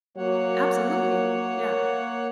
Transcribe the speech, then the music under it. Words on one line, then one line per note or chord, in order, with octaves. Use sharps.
Absolutely. Yeah.
F#3 A#3 C#5 F#5